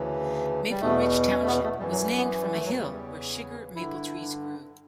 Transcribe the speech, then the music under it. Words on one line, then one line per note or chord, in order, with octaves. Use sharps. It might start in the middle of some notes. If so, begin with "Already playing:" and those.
Maple Ridge Township was named from a hill where sugar maple trees grew.
Already playing: D2 C#3 E3
G3
E2 B2 A3
C#4
A3
B3
A3
F#2 E3 G3
F#3
G3
B3
G3
A3
F#3
E2 C#3 E3 G3
G2 D3 E4